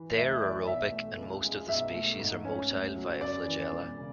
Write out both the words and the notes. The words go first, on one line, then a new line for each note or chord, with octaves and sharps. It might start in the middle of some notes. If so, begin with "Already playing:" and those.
They are aerobic and most of the species are motile via flagella.
Already playing: E3
D2 E5
E5
E3 D5
B1 E5
A3
C#2
G#3
B1 E5
A3
G#2
C#4
D2
F#3
F#2 D5
E3
E1
C#3